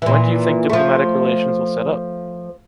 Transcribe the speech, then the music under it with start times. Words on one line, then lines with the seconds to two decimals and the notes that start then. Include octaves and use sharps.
When do you think diplomatic relations will set up?
0.02 A#2 E3
0.70 F3 A3